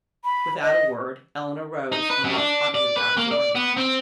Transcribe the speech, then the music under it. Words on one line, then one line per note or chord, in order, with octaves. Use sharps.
Without a word Eleanor rose and walked haughtily out of the room.
B5
D#5
D#4
B4
F#2
D4
D5
B4
A#3
D5
B3
C4